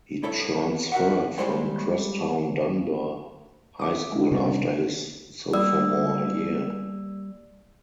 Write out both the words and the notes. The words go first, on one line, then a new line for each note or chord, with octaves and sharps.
He transferred from crosstown Dunbar High School after his sophomore year.
C2 E4 A4 C#5 E5
F#4 A#4 E5 F#5
G3 G#3 E4 C5 C#5 G5
E5 D6 D#6
G#3
C3 G3 B3 C#4 D4
G3 A#3 D5 E6